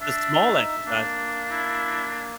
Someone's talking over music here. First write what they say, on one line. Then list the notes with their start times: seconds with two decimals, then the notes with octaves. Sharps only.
the small exercise
0.01 D4 E5
0.38 D#4
0.86 A#3 D4
1.51 E4